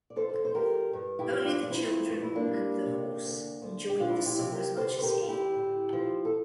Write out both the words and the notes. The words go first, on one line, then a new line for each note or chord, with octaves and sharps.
Only the children and the horse enjoyed the song as much as he.
D5
F2 A4 C5
C5
F2 G4 A#4
G2
E4 G4
F3
D4 F4
D4
F3 C4 E4
G2 D4
E4
A#3 D4
G3
C3
D2
D2
G4
F3 D4 F4
E4
F4
E4 G4
C3
G4 A#4
D2 A4 C5
C5
G4 A#4
D2
F4
E4 G4
A2
F3
A4